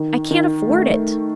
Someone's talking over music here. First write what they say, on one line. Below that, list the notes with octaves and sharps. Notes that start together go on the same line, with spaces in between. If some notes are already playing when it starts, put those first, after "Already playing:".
I can't afford it.
Already playing: D#3
D#3
A3